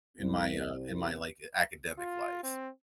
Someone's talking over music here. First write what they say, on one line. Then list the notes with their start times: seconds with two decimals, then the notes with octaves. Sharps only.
in my, uh in my, like, academic life.
0.18 C2
1.98 F4
2.43 C4